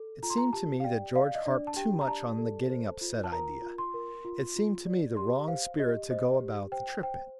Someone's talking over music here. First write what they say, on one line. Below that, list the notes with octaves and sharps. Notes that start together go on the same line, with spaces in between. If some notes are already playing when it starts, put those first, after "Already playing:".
It seemed to me that George harped too much on the getting-upset idea. It seemed to me the wrong spirit to go about the trip in.
Already playing: A4
F4 A#5
C6
A#5
G4 A5
F5
D5 G5
D5 F5
D#5
D4 D5
A5
G4 G5
A#5
D5 A5
A4
C5
F4
A5
A#4 A#5
F4
C6
A#4
F4
F4
D5
G4 C6
C5 F5
G4 D#5
C5 D#5
G4
C5 G5
C5 G5